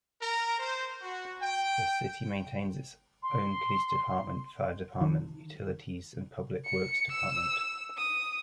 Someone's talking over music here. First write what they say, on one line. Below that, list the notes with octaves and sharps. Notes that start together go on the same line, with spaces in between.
The city maintains its own Police Department, Fire Department, Utilities and Public Works Department.
A#4
C5
F#4
G5
C6
D#3
C#7
E6
D#6